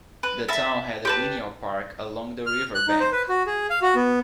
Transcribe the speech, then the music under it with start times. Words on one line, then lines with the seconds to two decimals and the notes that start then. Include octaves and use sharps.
The town had a linear park along the riverbank.
0.23 B4
0.49 E5 A5 B5
1.05 G4 B4 A5
2.46 F6
2.75 F#6
2.88 D#4
3.00 C5
3.12 B4
3.29 F#4
3.47 G#4
3.70 F5
3.82 F#4
3.95 B3